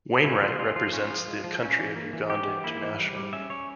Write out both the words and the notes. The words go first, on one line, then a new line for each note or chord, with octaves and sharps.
Wainright represents the country of Uganda internationally.
C#4 E4
F3 F4
G#3 F4
F3 F4
C#4 F4
F3
G#3
F3
C#4
E3
A#3
E3
C#4 G4
E3
A#3 E4
E3
G3
G3
C#4 E5
C#4 C#5